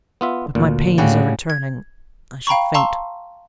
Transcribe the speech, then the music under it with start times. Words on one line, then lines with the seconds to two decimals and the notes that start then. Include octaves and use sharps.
But my pains are returning, I shall faint.
0.21 B3 F4 E5
0.55 D2 A#2
0.98 A2 C#3 G3 F#4
1.50 G#6
2.47 F5 G5 A#5 B5 C#6
2.74 F5 A5 A#5 C6 C#6 E6